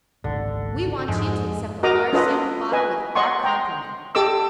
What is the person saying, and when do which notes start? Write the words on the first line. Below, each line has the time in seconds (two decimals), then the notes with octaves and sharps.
We want you to accept a large sample bottle with our compliments.
0.24 G#1 C#2 G#2 D3
1.08 F2 G#2 G#3
1.83 F#4 A#4 D#5 A#5 D6 D#6
2.13 C#4 F4 A4 B4 D#5
2.72 B4 D#5 G#5
3.15 C#5 D#5 F#5 C6 C#6
3.44 G5 A#5 C6
4.15 G4 A4 D#5 D6 E6